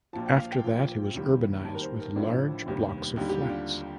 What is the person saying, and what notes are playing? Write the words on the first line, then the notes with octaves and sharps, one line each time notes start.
After that it was urbanized with large blocks of flats.
A#1 A#2 F3 A5
G5
F5
G5
A#1 A#2 F3
F1 D#2 D#3 G3
D#2 D#3 G3 A5
A#4
C5
A#4
A1 A2 F3 D4
F1 D#2 D#3 G3
D#2 D3 G3 D#4
G4
F4
D4